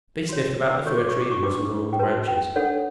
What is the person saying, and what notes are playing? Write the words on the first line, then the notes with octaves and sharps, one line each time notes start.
They snuffed about the Fir Tree, and rustled among the branches.
F#4 C#5
F#4 A4 C#5 C#6
D6
C#6
D6
C#6
D4 F#4 B4 D6
C#6
G5
F#4 B4 A5
G5
D4 A4 C#5 F#5